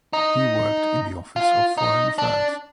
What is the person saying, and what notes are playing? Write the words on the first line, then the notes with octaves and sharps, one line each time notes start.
He worked in the Office of Foreign Affairs.
D#4
F4
D#4
D4